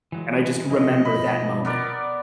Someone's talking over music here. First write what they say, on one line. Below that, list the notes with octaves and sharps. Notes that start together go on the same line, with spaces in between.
and I just remember that moment.
E3 F#3 G#3
B2 F3 E4 D#5
B5
B3 A#4 D5